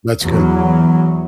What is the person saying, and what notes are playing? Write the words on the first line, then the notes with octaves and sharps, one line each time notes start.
That's good.
E2 F#3